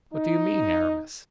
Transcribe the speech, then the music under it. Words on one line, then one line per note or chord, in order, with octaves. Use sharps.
"What do you mean, Aramis?"
D#4